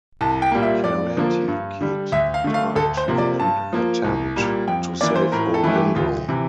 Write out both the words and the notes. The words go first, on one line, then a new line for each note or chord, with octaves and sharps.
Karate Kid died in an attempt to save Orando.
C2 A5
G5
A#2 G3 A#3
E5
F2 D5
D3 F3 A#3
G2
D3 G3
D2 E5
F5
D3 A3
F5
D2 A4
C5
C3 F3 A#3
D5
G2 A5
F3 A#3
C2
A#2 G3 A#3
F2 G5
E3 A#3 D5
C5
A2 A#4
A4
E3 A3
G4
D2 F4
C3 E3